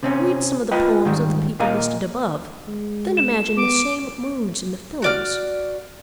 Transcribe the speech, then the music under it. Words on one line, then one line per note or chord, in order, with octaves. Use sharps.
Read some of the poems of the people listed above, then imagine the same moods in the films.
C3 C4 C#4
F4 B4 D#5 G5
G#2 D#3 G3
A#2 A#3 A#4 D#5 F5
G#3
E7
B3 D6
F#4 D5 F6